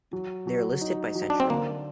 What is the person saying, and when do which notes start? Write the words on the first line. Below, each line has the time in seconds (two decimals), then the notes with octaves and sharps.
They are listed by century.
0.13 F#3
0.47 F#3
0.81 D#4
1.15 F#3
1.30 D4
1.40 C4
1.50 D3 A#3